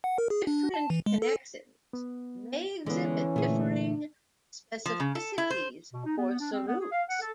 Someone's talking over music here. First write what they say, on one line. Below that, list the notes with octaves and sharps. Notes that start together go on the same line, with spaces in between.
Different connexins may exhibit differing specificities for solutes.
F#5
A#4
G#4
D4
A5
E3
G#3
A4
B3
D3 E3 G#3 B3 C#4
A#2 D3 A3 G#4
F3
C#3
A4
E4
C5
B2
D#4
B3
D4
C4
B3
G#4
F5
F#5
A4